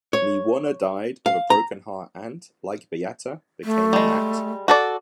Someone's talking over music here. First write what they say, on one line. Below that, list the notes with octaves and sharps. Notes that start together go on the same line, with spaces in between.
Me Wunna died of a broken heart and, like Byatta, became a nat.
C#5
F5
A#5
A3
G3 G#3
F#4 A4 D5